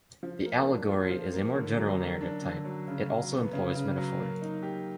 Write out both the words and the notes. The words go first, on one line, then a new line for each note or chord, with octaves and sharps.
The allegory is a more general narrative type; it also employs metaphor.
F3
A#3
D4
F4
F3
A#3
D3
F#3
A#3
D4
D3
F#3
C#3
F#3
B3
C#3
C#3
F#3
A#3
D#4
G4